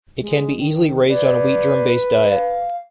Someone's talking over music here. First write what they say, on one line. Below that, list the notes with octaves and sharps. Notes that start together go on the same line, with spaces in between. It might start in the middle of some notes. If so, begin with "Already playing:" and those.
It can be easily raised on a wheat-germ-based diet.
G#3
D#3
B4 D5
F5